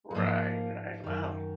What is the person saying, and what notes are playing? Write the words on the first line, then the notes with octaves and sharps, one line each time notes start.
Right, right. Wow.
G#3
G#2 F3 A#3
F#2 D#3